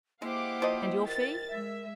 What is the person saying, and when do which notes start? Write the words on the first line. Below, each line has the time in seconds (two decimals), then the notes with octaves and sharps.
"And your fee?"
0.22 G#3 A#3 E4 G4 C5 F5 F#5 D6
0.60 B2 F3 D#5
1.07 A#4 A6
1.49 G#3 E5